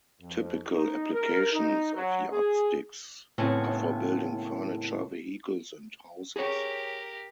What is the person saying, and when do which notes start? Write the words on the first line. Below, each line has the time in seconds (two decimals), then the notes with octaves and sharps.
Typical applications of yardsticks are for building furniture, vehicles and houses.
0.21 F2
0.70 D#4
1.13 A#4
1.53 D#4
1.95 F#3
2.31 G#4
3.38 D#2 A2 C#3 B3 C4 C#5
6.36 G4 G#4 A#4 C#5